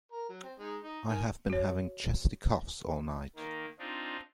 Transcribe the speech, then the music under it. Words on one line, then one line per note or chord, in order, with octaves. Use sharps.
I have been having chesty coughs all night.
A#4
F#3
C4
G#3 D#4
D#4
D#3 G#5
F#4 C#5
D#3 A#3
C4 D4 D#4 F4